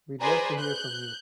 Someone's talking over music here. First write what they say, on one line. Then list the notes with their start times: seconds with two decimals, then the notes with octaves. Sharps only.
We’d love to hear from you.
0.21 G#4 B4 C5 D5 G#5 A#5
0.58 F#6 G6